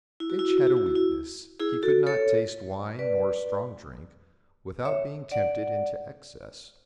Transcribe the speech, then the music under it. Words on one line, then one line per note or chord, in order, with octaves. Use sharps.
H-- had a weakness; he could not taste wine nor strong drink without being tempted into excess.
E4
F#4
E4
F#4
E4
F#4
E4
F#4
E4
E4 G#4
F#4 A4
A4 C#5
B4 D5
C#5 E5
D5 F#5